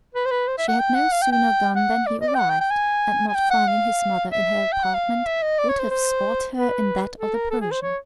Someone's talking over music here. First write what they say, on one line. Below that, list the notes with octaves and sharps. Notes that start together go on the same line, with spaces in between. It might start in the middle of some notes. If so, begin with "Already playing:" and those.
She had no sooner gone than he arrived, and not finding his mother in her apartment, would have sought her in that of the Persian.
B4
C5
B4
C5
E5
F#5
G5
F#5
F5
G5
G5
F#5
D5
D#5
D5
G5
F#5
G5
G5
G#5
G#5
G5
F#5
F5
E5
G5
F#5
F5
E5
D#5
D5
C#5
C5
C5
B4
A4
A#4
A4
G#4
C5
C#5